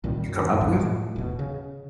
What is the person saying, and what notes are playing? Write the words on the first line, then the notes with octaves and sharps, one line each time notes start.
you come up with?
C2 A#2 D#3 G3
F#2
C2 G2 B2 F#3
A2
D#1 B2
C#3